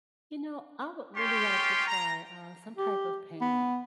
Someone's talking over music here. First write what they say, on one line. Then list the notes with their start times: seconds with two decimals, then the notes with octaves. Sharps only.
You know, I would really like to try, uh, some type of painting.
1.16 C#4 F4 G4 C#5 G5 C6
1.88 A#5
2.77 G4
3.41 B3